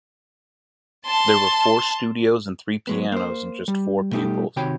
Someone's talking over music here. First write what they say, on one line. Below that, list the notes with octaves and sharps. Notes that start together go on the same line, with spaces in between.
There were four studios and three pianos and just four pupils.
A5 C6
F#3 G#3 B3
A#3 C5
G3
B2 G3 A3 D#4 G4
C3 D#3 F#4 C#5 G5 B5